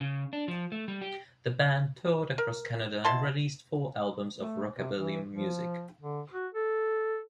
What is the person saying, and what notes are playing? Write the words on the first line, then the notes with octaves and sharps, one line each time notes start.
The band toured across Canada and released four albums of rockabilly music.
C#3
D4
F3
A3
G3
G4
A#4
B2 E4 A5 C6
A3
C3
E3
F3
D3
F#4
A4